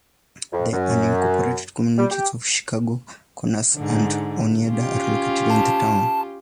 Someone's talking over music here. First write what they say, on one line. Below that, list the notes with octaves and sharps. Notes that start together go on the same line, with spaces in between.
The unincorporated communities of Chicago Corners and Oneida are located in the town.
F2
F#2
G3
G4
G#2 D3
C#4 F4 G4
A5